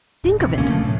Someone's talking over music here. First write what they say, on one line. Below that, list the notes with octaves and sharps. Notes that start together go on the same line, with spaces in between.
Think of it!
D1
A1 C3
C#2 D3 A#3 C#4
B2 F3 A3
A2